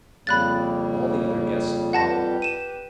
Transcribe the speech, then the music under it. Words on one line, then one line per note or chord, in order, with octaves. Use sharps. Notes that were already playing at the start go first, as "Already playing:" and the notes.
All the other guests followed.
F2 C#3 G3 A#3 B5 F#6 A6
G4 B4 F#5 A5 A#6
D#7 E7